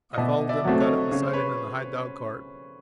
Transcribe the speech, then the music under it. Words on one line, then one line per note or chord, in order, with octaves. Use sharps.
I followed him and got up beside him in the high dog-cart.
D#5
B2 D5 E5
D5 E5
F#3 A3 C4
C#5 D#5
C#3 C#5
C5
B4 C#5